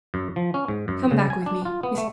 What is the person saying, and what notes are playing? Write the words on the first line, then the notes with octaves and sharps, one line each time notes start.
Come back with me--Mrs.
F#2
F3
C#4
G#2
F#2
C#3
G#5
D4
F4
B3
A3